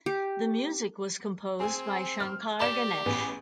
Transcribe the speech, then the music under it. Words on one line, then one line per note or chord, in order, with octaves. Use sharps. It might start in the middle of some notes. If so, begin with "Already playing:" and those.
The music was composed by Shankar–Ganesh.
G4
C4 G#4 G#5
F6
G4 D5 E7
A1 B3 G#4